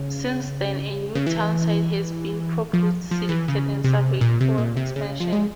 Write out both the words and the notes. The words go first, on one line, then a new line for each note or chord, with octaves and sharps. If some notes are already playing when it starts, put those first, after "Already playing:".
Since then, a new town site has been proposed, selected and surveyed for expansion.
Already playing: C#3
C#3
E3
F3
F3
E3
C#3
C3
A#2
C3
A#2
C3
C#3
F3
G#3